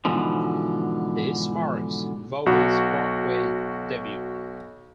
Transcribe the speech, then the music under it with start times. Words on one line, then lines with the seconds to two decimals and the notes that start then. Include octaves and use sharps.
This marks Vogel's Broadway debut.
0.05 G#2 B2 D3 E3 F3
2.46 B1 F#4